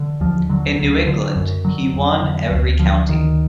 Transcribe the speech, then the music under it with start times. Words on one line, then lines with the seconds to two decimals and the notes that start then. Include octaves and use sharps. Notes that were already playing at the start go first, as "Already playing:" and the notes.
In New England, he won every county.
Already playing: D3
0.20 D#2 F3
0.50 D3 F#3
0.78 D2
1.07 D3
1.36 F#2
1.65 D3 F#3
1.94 F2
2.22 D3
2.51 D2
2.79 D3 F3
3.09 D2 D#3